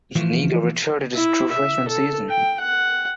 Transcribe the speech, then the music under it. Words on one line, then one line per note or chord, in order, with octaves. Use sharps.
Zuniga redshirted his true freshman season.
E3 F3 A3
E4
E5
A4
G5
F#5